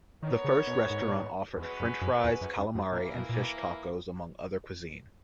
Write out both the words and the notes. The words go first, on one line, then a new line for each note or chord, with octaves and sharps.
The first restaurant offered French fries, calamari, and fish tacos, among other cuisine.
D#3 B3 D#4 A#4 C#5
C#3
B2
G#2
A#2
G#2
E2 G#3 C#4 F#4 B4
F#2
F#2
E2
F#2
F#2
F#2
A#2 E3 A#3 E4
B2
A#2
B2